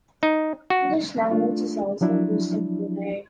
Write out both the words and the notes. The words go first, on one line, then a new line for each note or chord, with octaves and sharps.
English language is also used in Brunei.
D#4
F#4
A3 D4 F4
F3 F#3 D4 E4